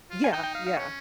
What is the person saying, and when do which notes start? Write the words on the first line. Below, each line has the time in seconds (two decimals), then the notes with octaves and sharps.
Yeah, yeah.
0.10 F4
0.24 G#5
0.33 D#4 G5
0.43 G5
0.55 F5
0.67 F5
0.77 C#4 C#5